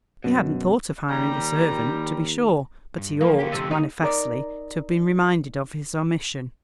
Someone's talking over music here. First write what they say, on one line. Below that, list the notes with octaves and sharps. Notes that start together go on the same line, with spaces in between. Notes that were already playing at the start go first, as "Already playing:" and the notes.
He hadn't thought of hiring a servant, to be sure, but he ought, manifestly, to have been reminded of his omission.
F#2 B2
D#2 G3 A#5
G2
F3 A#3
D2 G4
F2 C3
D#4
D#4 A#4 D5